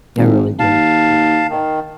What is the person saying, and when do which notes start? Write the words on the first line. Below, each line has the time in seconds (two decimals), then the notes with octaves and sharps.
I really do. Yeah, yeah.
0.18 G#1
0.59 D#2 F5 A5
1.50 D#3